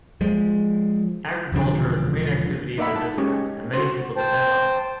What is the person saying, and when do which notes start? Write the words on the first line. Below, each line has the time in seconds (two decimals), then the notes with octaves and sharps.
Agriculture is the main activity in the district and many people depend on it.
0.21 F3 G#3
1.52 E1 D3 F3 D4
2.78 D#4 D5 E5 F#5 B5
2.96 A5
3.18 G#3 C#4 G4 C#5
3.74 F#4 C5
4.16 C5 G5 A5